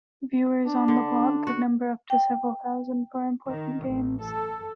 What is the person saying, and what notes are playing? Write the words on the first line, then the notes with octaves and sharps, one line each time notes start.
Viewers on the block could number up to several thousand for important games.
D4
D3
F#4
G5
D#3
A1
A4